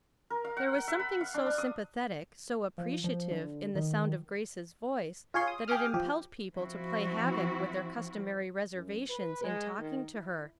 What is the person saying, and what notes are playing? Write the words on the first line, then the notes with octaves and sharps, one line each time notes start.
There was something so sympathetic, so appreciative, in the sound of Grace's voice, that it impelled people to play havoc with their customary reservations in talking to her.
A#4
F5
F#5
F#5
E5
B5
F5
D4
D4
D#6
F3
F3
D3
D#3
F4 G#4 C#5 C6
D#6
G4 G#4 F5 D6 D#6 F6
F3 G4
F3 C4 E4 F#4
F#2
B4
G#3
D#3
E4